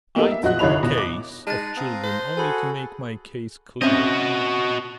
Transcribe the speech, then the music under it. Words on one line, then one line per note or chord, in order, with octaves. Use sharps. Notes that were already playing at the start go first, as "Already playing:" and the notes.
I took the case of children only to make my case clearer.
A#3 B3 D#4 G4 A4
E5
A#1 F#4 D#5 F#6
G1 C2 D#4 C#5 B5 F7
B2
D6
G#3 D#4 A5 F#6 A6
C4 F5 A#5 D#6
C5
F#4 G#4 A4 G#5 B5
C4 C#4 F#4 D#5 E5